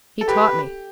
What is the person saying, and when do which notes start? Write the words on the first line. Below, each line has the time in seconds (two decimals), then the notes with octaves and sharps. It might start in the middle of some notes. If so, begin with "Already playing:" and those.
He taught me.
0.21 A4
0.28 G4 B4